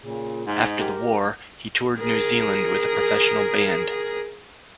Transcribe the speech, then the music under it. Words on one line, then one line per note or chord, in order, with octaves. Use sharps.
After the war, he toured New Zealand with a professional band.
A#2 C#3
G#2 G#4 F5 F#5
D#5
G4 A#4
G#4 A#4